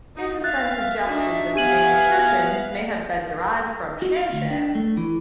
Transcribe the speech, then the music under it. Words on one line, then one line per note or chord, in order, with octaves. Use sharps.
It has been suggested that the name "Cherchen" may have been derived from Shanshan.
D#4
E5 F5 F#6 A6
D4 D#4 F#4
B3 G4 F5 F#5 G#5 D#7 F#7
F#4
F5
D2
D4
A3
E3